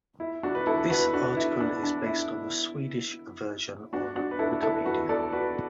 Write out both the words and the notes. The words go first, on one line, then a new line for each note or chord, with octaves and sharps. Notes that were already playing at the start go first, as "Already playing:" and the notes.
This article is based on the Swedish version on Wikipedia.
E4
D4 F#4
B4
E4 A4
F#4 B4
D4 F#4
E4
D4
D4
E4
D4 F#4
D4 F#4
B4
E4 A4
E4 A4
F#4 B4
A4 D5
F#4 B4